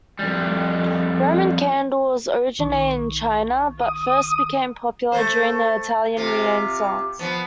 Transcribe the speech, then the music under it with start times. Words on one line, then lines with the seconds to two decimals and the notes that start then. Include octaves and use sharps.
Roman candles originated in China, but first became popular during the Italian Renaissance.
0.19 F2 G3
2.59 B1 D#3 C#6
3.81 D#6
5.12 A3 C5
6.17 C3 F4
7.19 F3 B3